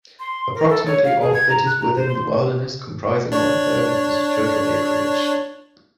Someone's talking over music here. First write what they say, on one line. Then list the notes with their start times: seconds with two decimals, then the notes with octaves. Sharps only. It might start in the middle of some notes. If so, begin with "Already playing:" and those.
Approximately of it is within the wilderness, comprising one-third of its total acreage.
0.20 C6
0.55 A#4
0.69 A4
0.86 C#5
1.04 F5
1.21 G#4
1.34 G#6
1.49 A#5
1.66 F#6
1.80 A#5
1.95 C5
2.09 C6
3.32 D4 C#5